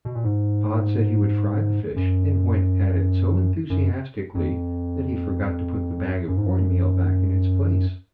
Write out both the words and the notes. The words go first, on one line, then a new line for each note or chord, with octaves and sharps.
Pod said he would fry the fish, and went at it so enthusiastically that he forgot to put the bag of corn meal back in its place.
B2
A#2
G#2
F#2
F#2
F2
F#2
G#2
F#2